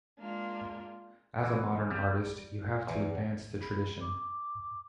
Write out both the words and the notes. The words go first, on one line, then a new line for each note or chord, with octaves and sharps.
As a modern artist you have to advance the tradition.
G#3 A#3 D4 F4
E3
G3
E2
B5
D6